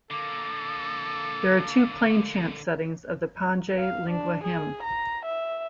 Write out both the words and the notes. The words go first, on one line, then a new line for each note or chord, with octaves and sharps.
There are two plainchant settings of the Pange lingua hymn.
D3 A#3 A4 D6
F5
D4
G#4
A#5
E5